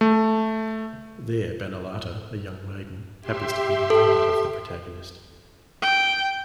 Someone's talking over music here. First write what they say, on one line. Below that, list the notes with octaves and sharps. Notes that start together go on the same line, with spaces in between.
There Banalata, a young maiden, happens to be the neighbour of the protagonist.
A3
G4 E5 C6
A4
G5